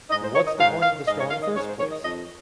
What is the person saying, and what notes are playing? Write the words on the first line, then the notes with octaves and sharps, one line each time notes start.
What's the point of the straw in the first place?
G#2 D#5
C5
D#3 C#5
D#5
G#2 F5
D#3 F5
G#2 D#5
C#5
D#3 F5
D#5
G#2 C#5
C5
D#3 C#5
D#5
F2 D#5